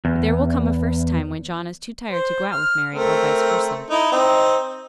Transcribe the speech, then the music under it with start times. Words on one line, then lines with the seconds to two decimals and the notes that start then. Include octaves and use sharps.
But there will come a first time when John is too tired to go out with Mary, or vice versa.
0.05 E2
2.11 C5
2.52 F6
2.94 A3 C4 A#4
3.90 D#4 E4
4.12 C4 D#4